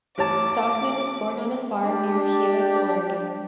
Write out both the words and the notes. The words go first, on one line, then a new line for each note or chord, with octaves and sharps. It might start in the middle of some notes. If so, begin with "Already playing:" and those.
Stockman was born on a farm near Helix, Oregon.
A1 C#5 A5 D6
D4 G4